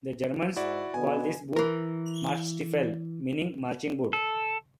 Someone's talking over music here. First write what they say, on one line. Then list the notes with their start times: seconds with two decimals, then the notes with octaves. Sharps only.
The Germans call this boot "Marschstiefel", meaning "marching boot".
0.56 G#2 E4 F#4 D5
0.94 B2 D3 B3 G#5
1.56 E3 A#4
4.13 A4